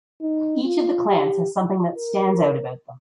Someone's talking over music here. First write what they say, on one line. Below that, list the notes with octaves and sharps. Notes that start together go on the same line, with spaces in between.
Each of the clans has something that stands out about them.
D#4
F4
G4
A#4